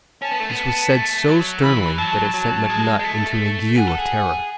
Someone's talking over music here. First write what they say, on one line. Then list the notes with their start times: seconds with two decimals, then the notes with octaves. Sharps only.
This was said so sternly that it sent McNutt into an ague of terror.
0.22 C#4 A5
0.31 B3
0.40 A3
0.50 B3
0.93 A3
1.28 F#3
1.63 E3 B5
1.98 F#3 A5
2.34 F#3
2.70 G#3
2.99 G#3
3.04 A3
3.76 G#4 F#5
3.87 A4
3.98 G#4